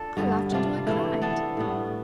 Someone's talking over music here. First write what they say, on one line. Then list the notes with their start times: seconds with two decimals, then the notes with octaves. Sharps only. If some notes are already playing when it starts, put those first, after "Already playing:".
I laughed until I cried.
Already playing: D4 F4 A4
0.17 G2 D3 G3 B3
0.52 C3 G3 D4 F4
0.87 E3 A3 E4
1.22 B3 D4 A4
1.57 A2 G3 B3